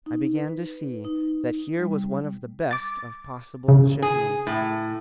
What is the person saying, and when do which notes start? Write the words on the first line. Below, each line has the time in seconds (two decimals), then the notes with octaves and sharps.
I began to see that here was one of the best of possible shipmates.
0.06 D#4
0.35 B4
1.05 D#4
1.79 G3
2.71 D6 A6
3.68 C#3
4.02 G#4
4.47 A2